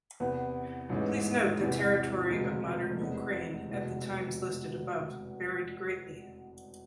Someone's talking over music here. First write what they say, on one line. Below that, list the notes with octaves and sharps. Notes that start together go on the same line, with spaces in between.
Please note that territory of modern Ukraine at the times listed above varied greatly.
E2 C3 E3 B3
A1 G#2 E3 G#3
E2 C3 E3 G#3
E1 D2 C3 G#3
A3
F1 E2 C3 G#3 B3
F1 E2 B2 G#3